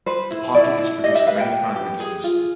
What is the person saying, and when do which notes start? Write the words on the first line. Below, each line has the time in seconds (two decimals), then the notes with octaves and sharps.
The party has produced many Prime Ministers.
0.06 B4 C5
0.31 E4
0.54 E4 D5
0.79 E4
1.04 G4 D#5
1.15 E5
1.27 B4 F5
1.40 G5
1.52 B4
1.76 G4
2.00 G#4
2.24 F4